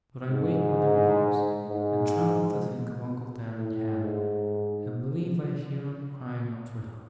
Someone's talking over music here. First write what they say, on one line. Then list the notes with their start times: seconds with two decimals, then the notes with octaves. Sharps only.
'But I wake when it blows, and tremble to think of Uncle Dan and Ham and believe I hear 'em crying out for help.
0.28 G#2
1.68 G#2
3.56 A2
4.02 G#2